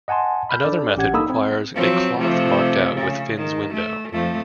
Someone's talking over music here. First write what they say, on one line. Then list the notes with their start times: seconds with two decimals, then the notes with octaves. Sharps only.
Another method requires a cloth marked out with Finn's Window.
0.08 D#5 F#5 G#5 A5 C6
0.49 B5 F6 G6
0.64 D4 A4 D5
0.97 A1 C#4 G4 F#5 G#6
1.13 A#3 D#4 A4 B5 D#6 E6
1.30 C4
1.74 F3 F#3 C4
2.19 C3 F3 A3
2.94 C#3
3.37 D#3
3.74 A3
4.13 F2 F3 A3